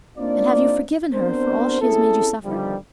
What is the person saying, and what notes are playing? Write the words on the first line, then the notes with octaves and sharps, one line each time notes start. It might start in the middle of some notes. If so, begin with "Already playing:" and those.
"And have you forgiven her for all she has made you suffer?"
A#3 C4 D4 D#4 F4 D5
B3 C4 D4 F#4 A#4 C5
C4 C#4 E4 G#4 A4
G1 G2 D3 D#3 F3 G3